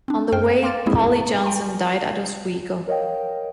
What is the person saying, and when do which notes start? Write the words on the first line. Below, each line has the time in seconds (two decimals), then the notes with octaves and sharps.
On the way, Polly Johnson died at Oswego.
0.08 C4 D4
0.32 F#2 C5 G5 F6
0.62 F5 G5 C6 D6 F6 A6
0.86 G#3 A#3 C4 E4 G#4
1.44 G5 G#5 A#5 C6 C#6
2.87 A#4 C#5 D#5 F5 G5